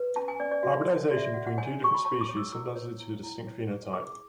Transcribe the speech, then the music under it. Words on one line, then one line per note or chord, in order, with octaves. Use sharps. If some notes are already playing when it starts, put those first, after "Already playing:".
Hybridization between two different species sometimes leads to a distinct phenotype.
Already playing: B4
C#4 A5
G#5
C#4 D5
D5
F#4 E5
C#5
F#4 D5
E5
D5
F#4 F#5
F#5
C#5 G#5
F#4 C#6
B5
C#5 A5
D6
C#5
E6
E4 E6
C#5
E4
E4
C#5
G#4
G#4 D6